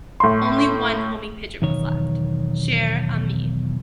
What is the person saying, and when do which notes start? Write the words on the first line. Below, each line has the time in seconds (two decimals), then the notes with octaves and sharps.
Only one homing pigeon was left: "Cher Ami".
0.20 A2 C6
1.62 B1 E2 D#3 C#5